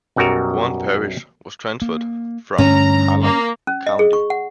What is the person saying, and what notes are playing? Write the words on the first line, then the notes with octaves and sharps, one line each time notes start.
One parish was transferred from Halland County.
B1 F#2 G3 F#4 A#4
A#3
G2 D3 A3 C#4 A#5
A#3
C#4
D#5
G#4
C#6
F#5